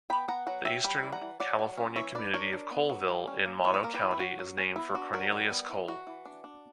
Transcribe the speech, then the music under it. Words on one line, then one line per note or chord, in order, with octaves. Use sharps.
The eastern California community of Coleville in Mono County is named for Cornelius Cole.
B3 G5 B5
B3 F#5 A#5
F#3 F#5 A#5
F#3 E5 G5
G3 G5 B5
E3
F#5 A#5
E3
F#3 D5 F#5
F#3
C#4
E3 C#5 E5
D4 B4 D5
D4 A#4 C#5
D4
B3
F#3
G3
C#4
A#3
E3 C#5
B4
A#3 A#4
G4 B4
E3
E4
F#3 F#4
F#3
C#4
B3 E4
D4 F#4
F#3 F#4 A#4
G3
B3
E3
E3 F#4
E3
D4
D4